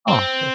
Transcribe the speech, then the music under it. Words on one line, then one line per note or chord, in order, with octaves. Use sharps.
Oh, coo
C4